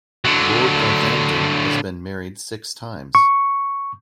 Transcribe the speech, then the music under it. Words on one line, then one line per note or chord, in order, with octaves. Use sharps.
Lord Northampton has been married six times.
D3 F#3
C#6